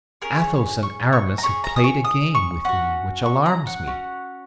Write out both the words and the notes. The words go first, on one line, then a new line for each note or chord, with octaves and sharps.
Athos and Aramis have played a game with me which alarms me.
C#4 G#4 A#4
C#5
C#6
C#6
A#5
C#4 G#4 C#6
A#5
D#6
C#6
D#6
C#6
C#4 F#4 F#5
C#6
A#5
F#5
C#4 F#4